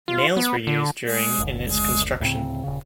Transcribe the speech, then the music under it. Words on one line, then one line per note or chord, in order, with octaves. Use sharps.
Nails were used during in its construction.
F4
B3
D3
F#1 D2
D2 A2 C#3 C4
D#1 C#3